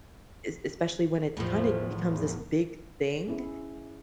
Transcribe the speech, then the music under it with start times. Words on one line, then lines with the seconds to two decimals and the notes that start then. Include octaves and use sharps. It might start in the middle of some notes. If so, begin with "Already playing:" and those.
es especially when it's kinda becomes this big thing;
1.37 E2 A2 F3
3.28 C#4 E4 G#4